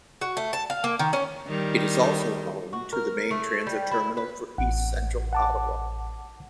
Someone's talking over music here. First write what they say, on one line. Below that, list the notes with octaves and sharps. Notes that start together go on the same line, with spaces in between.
It is also home to the main transit terminal for east-central Ottawa.
F#4
A3
A5
F5
A#3
D#3
C#4
D#3 G3
F#4
A#4
A3
G3
E4
B4
A1 F#5
F#5 A5 D6